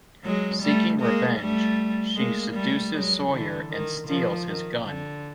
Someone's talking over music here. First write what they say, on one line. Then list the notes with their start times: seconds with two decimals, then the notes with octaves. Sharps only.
Seeking revenge, she seduces Sawyer and steals his gun.
0.24 F#3 G#3
0.63 G3 A3
1.01 G#3 A#3
1.39 G3 A3
2.16 G#3 A#3
2.54 G3 A3
2.93 F#3 G#3
3.31 D3 E3
3.69 D#3
4.08 D#3 F3
4.46 D#3
4.85 D3